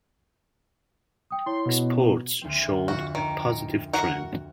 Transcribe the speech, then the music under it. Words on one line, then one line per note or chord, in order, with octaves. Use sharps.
Exports showed a positive trend.
G5 D#6
E4 C#5 C6
B2
D2 C4
F2 F#4
D#3
F#4 A#4 F#5